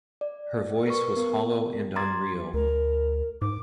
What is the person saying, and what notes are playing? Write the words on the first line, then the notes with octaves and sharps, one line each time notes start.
Her voice was hollow and unreal.
D5
A#4 B4 C#6
B3 A#4
A#5 C6 D6 G#6 A6
D2 A#4
G#2 D6